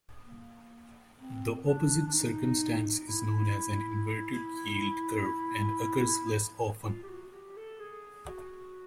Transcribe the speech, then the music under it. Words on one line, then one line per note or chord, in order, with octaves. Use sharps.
The opposite circumstance is known as an inverted yield curve and occurs less often.
A#3
C4
D4
D4
D#4
E4
F4
G4
F#4
G4
A4
G#4
F#4